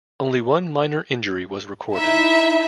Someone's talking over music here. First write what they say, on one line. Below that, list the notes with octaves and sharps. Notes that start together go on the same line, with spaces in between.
Only one minor injury was recorded.
D#4 E4 E5